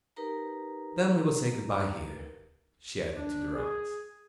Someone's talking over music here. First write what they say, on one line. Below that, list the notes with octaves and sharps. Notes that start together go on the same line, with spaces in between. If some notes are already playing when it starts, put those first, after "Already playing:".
"Then we will say good-bye here," she added to Durrance.
D#4 G4 A#4 B4 A#5
D4
G#4